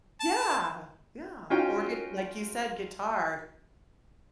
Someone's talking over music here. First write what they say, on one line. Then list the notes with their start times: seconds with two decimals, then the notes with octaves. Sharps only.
Yeah, yeah, or gi like, you said, guitar,
0.20 A5
1.50 C#4 D#4 F4 F#4 G5